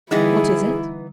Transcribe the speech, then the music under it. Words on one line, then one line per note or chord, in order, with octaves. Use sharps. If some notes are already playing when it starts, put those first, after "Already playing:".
What is it?
D3 E3 G3 B3 D#4 E4 G#4